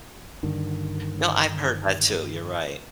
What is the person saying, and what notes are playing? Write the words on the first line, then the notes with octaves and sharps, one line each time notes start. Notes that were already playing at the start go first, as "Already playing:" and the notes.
No, I've heard that too, you're right.
G2 D3 D#3